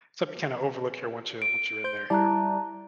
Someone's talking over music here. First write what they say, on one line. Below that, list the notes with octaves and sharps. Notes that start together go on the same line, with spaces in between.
something you kinda overlook here once you once you're in there here.
D7
C5 G6
G3 E4 D5 A5 A#5 F#6